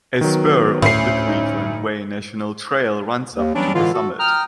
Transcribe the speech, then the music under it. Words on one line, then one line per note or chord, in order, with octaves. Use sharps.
A spur of the Cleveland Way National Trail runs up to the summit.
D#3 F#3 B3
D2 A2 C#4 C7
D#4
D#2
E3 F#3 G3 B3 C#4 D4
A2 D3 E3 G#3 F4
F#4 A4
G5 A#5 D#6 F6